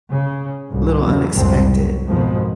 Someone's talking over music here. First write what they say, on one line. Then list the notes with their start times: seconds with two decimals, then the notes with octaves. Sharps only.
little unexpected.
0.11 C#3
0.67 C2 G#2
1.00 E2 B2 F#3
1.33 F#1 C2 F2 G#2 C3 C4
1.72 F#3
2.07 F2 G#2 B2 D#3 F3 G#3